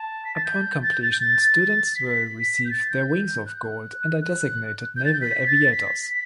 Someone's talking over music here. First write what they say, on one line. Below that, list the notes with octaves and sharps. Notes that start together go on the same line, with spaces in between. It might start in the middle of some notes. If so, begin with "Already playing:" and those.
Upon completion, students will receive their wings of gold and are designated naval aviators.
Already playing: A5
B6
A6
G6
A6
G6
A6
G6
A6
B6
G6
A6
G6
G6
G6
F#6
F#6
G6
A6
G6
B6
A6
B6
B6